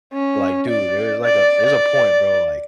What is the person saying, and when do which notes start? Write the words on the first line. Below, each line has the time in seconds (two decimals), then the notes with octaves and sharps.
But, like, dude, there's like a there's a point, bro, like,
0.13 C#4
0.70 D5
1.24 D5
1.66 D5